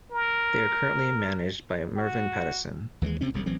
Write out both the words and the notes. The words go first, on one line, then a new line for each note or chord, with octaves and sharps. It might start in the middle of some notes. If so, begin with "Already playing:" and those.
They are currently managed by Mervyn Pattison.
A#4
F#4
D#2 E3 F#3 G#3
D2 C3 C4 C#4
E1 C2 C#3 G3
A1 E3 F#3 C4